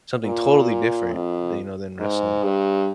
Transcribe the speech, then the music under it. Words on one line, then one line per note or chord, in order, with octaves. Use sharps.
something totally different than you know, than wrestling.
A#2
F2
G#2
G2